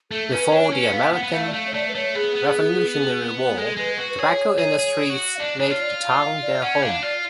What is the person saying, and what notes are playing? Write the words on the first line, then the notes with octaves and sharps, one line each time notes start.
Before the American Revolutionary War, tobacco industries made the town their home.
A3 A4
C#4 B4
D4 C#5
C#4 B4
B3 F5
B3 F#5
B3
A3 F5
D5
A3 F5
C#5
A3 D5
B4
A3 C#5
B3 G#4
B3
G#3 A4
G#3 B4
F#4
B4
G#4 C#5
G#4
G#4
F#4
F5
D4 D5
D4 C#5
F4
D5
F5
D5
F5
D5
C#4 F#5
D4 F5
F4 D5